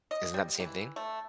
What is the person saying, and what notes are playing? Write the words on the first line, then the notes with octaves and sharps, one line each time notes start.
isn't that the same thing?
D#5
G3
E3
A3